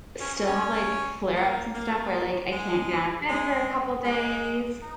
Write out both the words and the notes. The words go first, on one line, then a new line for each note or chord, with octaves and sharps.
still have, like, flare ups and stuff where, like, I can't get out of bed for a couple days.
C#4
C#4
C#4
A#3
A#3
G#3
G#3
G#3
D#4